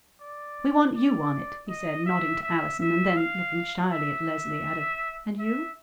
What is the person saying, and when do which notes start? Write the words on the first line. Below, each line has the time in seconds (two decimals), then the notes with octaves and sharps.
"We want you on it," he said, nodding to Allison and then, looking shyly at Leslie, added, "And you?"
0.20 D5
0.95 D5
1.69 D#5
2.06 E5
2.43 E5
2.80 E5
3.17 F5
3.92 E5
5.39 E5